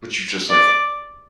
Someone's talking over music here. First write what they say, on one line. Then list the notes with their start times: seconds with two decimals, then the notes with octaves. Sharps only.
would you just, like,
0.50 D5